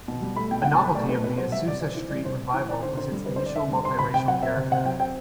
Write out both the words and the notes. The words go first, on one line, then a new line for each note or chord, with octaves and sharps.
A novelty of the Azusa Street Revival was its initial multiracial character.
B2
G3
A3 B5
B2 G5
G5
B2 F#5
A5
F#3 B5
A3 D5
B2 B4
B2 B4
F#3 C5
G3 E5
C3 D5
C4 D5
E3
G3 D5
C3 C5
C4
E3
C4 D5
D3 C5
D3 C5
G3
C4 B4
C5
D3 D5
D3 E5
G3
C4 C6
C3 B5
C3 G5
F#3 F#5
C4 E5
C3
C3 F#5
F#3 G5
C4 G5